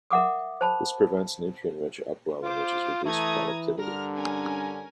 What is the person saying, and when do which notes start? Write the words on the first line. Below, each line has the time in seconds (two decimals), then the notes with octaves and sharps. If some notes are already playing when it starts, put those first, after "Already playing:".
This prevents nutrient-rich upwelling which has reduced productivity.
0.11 A#4 E5 F#5 D6 D#6
0.61 C5 A5 B5
2.44 F4 C5 D6
3.05 E3 A3 A#5 D#6 G#6
3.77 G2 D3 A#4 F6
4.16 C#4 A#4 G#5